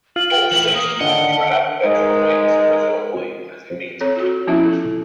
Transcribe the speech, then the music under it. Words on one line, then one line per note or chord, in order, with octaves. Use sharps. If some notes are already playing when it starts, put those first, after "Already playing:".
Both sexes have drab ventral wings, presumably as a means of camouflage.
F4 F#7
G5
A2 E3
A#3 D#6
D3 D#3 D#5 F#5 G7
G#3 D#4 A#4
C4 A4 C#5
F4 F#4
F3 B3 C#4 E4 F4 E5
A4